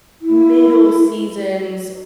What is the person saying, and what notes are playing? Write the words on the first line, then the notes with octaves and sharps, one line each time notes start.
middle seasons
E4